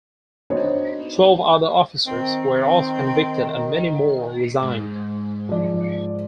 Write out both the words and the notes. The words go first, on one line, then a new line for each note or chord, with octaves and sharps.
Twelve other officers were also convicted and many more resigned.
B3 D4 D#4 F#4 C5 C#5
D#3 C4
G#2
F3 D5